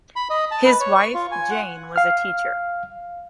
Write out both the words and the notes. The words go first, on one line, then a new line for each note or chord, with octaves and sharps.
His wife, Jane, was a teacher.
B5
D#5
A5
B4
C#5
C#6
F4
G#5
F#5
F5 F6